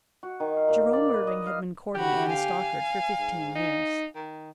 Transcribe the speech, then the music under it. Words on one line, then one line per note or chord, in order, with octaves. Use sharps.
Jerome Irving had been courting Anne Stockard for fifteen years.
F#4
D#3
F5
A#2
D5
B4
D#5
F5
D3 F#4 G4 B5
F5 G#5
G#2
D#4
D#3